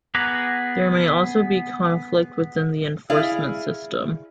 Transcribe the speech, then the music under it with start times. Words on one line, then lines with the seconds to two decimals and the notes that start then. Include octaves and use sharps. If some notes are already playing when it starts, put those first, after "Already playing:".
There may also be conflict within the enforcement system.
0.15 B3 G#4 F#5 A#5 D6
3.10 E4 G#4 D5 F5